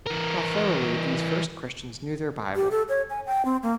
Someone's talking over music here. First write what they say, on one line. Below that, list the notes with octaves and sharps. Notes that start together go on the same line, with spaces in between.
How thoroughly these first Christians knew their Bible!
E3 A#4
G4
A4
C#5
G#5
G5
C4
A#3